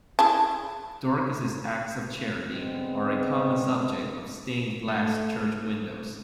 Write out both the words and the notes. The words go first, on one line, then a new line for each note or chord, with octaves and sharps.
Dorcas' acts of charity are a common subject of stained glass church windows.
E4 G#4 A5
G#2 D3 G#3 B3 C4
A3